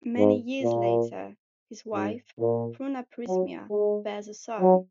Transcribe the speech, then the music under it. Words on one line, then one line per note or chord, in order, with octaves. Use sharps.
Many years later, his wife, Prunaprismia, bears a son.
G#2
A#2
G#2
A#2
F#3
G#3
F#3